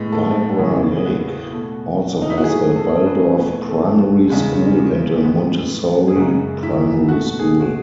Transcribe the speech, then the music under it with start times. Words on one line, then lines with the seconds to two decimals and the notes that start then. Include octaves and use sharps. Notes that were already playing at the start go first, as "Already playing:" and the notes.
Bibra Lake also has a Waldorf primary school and a Montessori primary school.
Already playing: A2 G#3 B3
0.12 A4
0.58 E2 C#3 E3 B3 G#4
0.95 G#4
1.05 F#4
1.52 B2 A3
2.22 D#4
2.30 E4
2.37 F#4
2.44 G#2 F#3 A3 G#4
2.76 A4
3.06 B4
3.37 E2 B2 A3 B4
3.69 A4
4.30 E2 C#3 G#3
5.23 A2 G#3 B3
6.08 G#4
6.16 F#2 C#3 G#3 F#4
6.63 E4
7.08 B2 A3 F#4
7.39 G#4
7.60 F#4